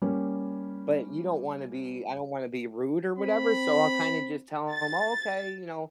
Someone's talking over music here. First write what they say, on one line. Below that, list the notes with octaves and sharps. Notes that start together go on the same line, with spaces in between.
but you don't wanna be I don't wanna be rude or whatever, so I'll kinda just tell 'em, "Oh, okay," you know,
G3 A#3 C#4
C4 B5
A6